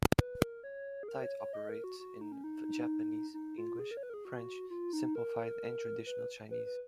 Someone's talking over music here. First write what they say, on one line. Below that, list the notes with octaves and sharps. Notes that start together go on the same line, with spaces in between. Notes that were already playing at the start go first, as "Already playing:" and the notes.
The site operates in Japanese, English, French, Simplified and Traditional Chinese.
B4
A#4
C#5
G#4
A#4
C#5
C#5
D#5
A#4
F#4
F#4
D#4
C#4
D#4
D#4
F4
G#4
A#4
C#5
B4
A#4
G#4
F#4
F4
D#4
A#4
B4
B4
B4